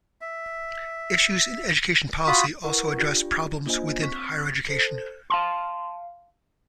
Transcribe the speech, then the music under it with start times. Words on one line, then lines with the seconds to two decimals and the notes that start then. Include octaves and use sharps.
Issues in education policy also address problems within higher education.
0.21 E5
2.27 F4 F#4 B5 D#6
2.63 E4 A#4 B4 F#5 C#6
2.98 D4 F4 G4 D5
3.66 A#3 D4 F4 C5 D#5 G#5
4.01 C4 C#6 B6
4.69 A4 C5
5.30 F5 A5 C6